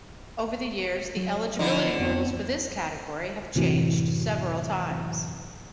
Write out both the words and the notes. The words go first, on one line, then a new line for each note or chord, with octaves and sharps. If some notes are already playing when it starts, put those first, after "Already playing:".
Over the years, the eligibility rules for this category have changed several times.
F#3
D3 F3 D#4 E4 D#5
F2 B3 C4
F#2 A2 C3 E3 F#3